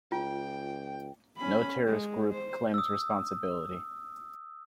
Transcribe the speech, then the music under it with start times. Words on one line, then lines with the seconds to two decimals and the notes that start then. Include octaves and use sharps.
No terrorist group claims responsibility.
0.12 C#2 F4 G5
1.37 C#4 B5
1.87 G#3
2.32 C5
2.74 D#6 E6